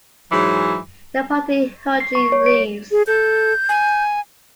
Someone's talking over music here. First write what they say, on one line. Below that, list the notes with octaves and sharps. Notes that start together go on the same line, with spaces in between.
The party hurriedly leaves.
G#2 E3 F#3
C7
C#6
C#5
D7
G#4
A4 G6
G#5